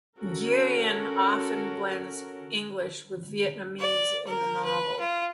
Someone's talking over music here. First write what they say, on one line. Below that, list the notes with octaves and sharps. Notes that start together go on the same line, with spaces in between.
Nguyen often blends English with Vietnamese in the novel.
C#4 F#4 A4 A#4
D5
A#4
B4
F4